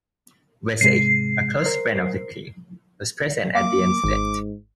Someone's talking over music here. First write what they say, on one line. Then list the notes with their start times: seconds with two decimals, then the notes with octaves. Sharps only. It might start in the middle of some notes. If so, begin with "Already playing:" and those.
Vesey, a close friend of the King, was present at the incident.
0.81 G#2 C3 G#3 C7
1.62 A#4 C5
3.55 A#3 F5 D6
4.04 G#1 G#2